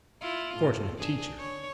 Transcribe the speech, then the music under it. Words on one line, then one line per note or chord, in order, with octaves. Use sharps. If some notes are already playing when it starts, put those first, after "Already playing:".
Fortunate teacher!
E4 F4
A2
D4 G#4
C#5